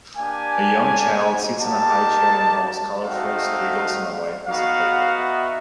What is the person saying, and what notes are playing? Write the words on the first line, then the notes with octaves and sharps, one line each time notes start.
A young child sits in a highchair and draws colorful squiggles on a white piece of paper.
A#3 D4 G4 G#5
A#3 D#4 G4 A5
A3 C4 D#4 F#4 F5
B3 D#4 F#4 F5
E5